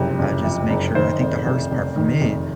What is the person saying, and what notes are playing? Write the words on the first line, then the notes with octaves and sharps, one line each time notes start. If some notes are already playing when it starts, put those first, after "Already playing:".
uh, just make sure I think the hardest part for me
Already playing: F#1 F2 C3
F#1
F2
F#1
D#3 C5
F1
F1
F1
D#3
F1